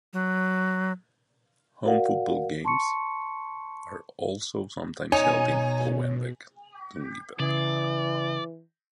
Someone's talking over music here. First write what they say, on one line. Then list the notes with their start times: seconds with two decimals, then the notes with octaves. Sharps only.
Home football games are also sometimes held in Owenbeg, Dungiven.
0.13 F#3
1.85 F#4 A#4 D5 F5 F#5
2.65 A5 C6 C#6 C#7
5.12 B2 D#4 C#5 G#5
7.40 C#3 E3 D5